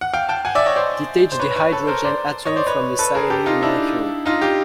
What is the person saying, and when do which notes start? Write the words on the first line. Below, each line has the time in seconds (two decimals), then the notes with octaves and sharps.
Detach the hydrogen atom from the cyanide molecule.
0.01 F#5
0.14 F5 G5
0.29 G5 A5
0.45 F#5 G#5
0.55 D5 E5
0.66 C#5 D#5
0.76 C5 D5
1.32 C5
1.40 B4 C#5
1.56 B4 C#5
1.73 A4 B4
1.87 A#4 C5
2.04 C5 D5
2.45 C#5 D#5
2.56 C5 D5
2.67 B4 C#5
2.99 A4 B4
3.15 G#4 A#4
3.30 G4 A4
3.46 D#4 F4
3.63 D4 E4
4.26 D#4 F4
4.41 F4 G4